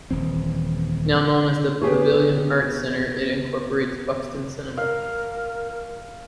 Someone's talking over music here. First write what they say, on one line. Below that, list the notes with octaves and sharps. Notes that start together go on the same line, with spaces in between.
Now known as The Pavilion Arts Centre it incorporates Buxton Cinema.
D#1 E3 C4
B3 G4 G#4 C#5
A#4 F5